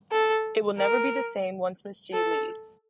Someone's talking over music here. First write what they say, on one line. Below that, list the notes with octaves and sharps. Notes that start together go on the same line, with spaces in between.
It will never be the same once Ms. G leaves.
A4
A#4
A4